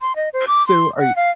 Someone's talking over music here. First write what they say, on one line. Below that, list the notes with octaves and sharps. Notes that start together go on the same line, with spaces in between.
So, are y
C6
D#5
C5
D6
C6
F#5
F5